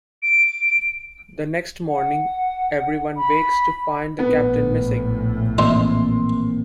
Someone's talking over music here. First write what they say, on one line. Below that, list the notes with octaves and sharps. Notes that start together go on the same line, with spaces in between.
The next morning, everyone wakes to find the Captain missing.
D7
F#5
B5
A#1 A2 B3
E3 A#3 C4 D#4 C5 E5 C6